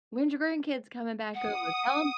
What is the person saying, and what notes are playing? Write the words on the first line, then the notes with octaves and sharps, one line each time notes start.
when's your grandkids coming back over? Tell 'em
F#5 D#6